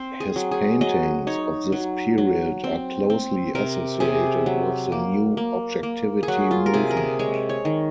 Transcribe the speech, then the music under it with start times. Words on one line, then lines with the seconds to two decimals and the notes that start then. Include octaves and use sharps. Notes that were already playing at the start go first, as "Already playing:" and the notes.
His paintings of this period are closely associated with the New Objectivity Movement.
Already playing: C4 C5
0.20 G#4
0.36 F#3
0.51 G#4
0.81 F#3 D#5
1.27 D#4 C#5
1.72 F#3
2.18 F#3
2.64 C4
3.10 C4
3.55 C3 A#4
4.00 C3 G#4
4.46 F#3
4.92 A#3
5.37 A#3
5.83 A#3
6.23 G#4
6.28 F#3 F#4
6.51 F4
6.66 A#4
6.73 C3 G#4
6.91 A#4
6.97 G#4
7.19 G#3 C#5
7.49 C#5
7.65 D#3